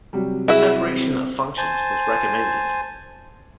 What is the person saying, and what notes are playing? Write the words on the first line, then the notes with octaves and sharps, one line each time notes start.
Separation of functions was recommended.
C3 F#3 G3
E4 F#4 G#4 E5
C4
C5 G#5 A5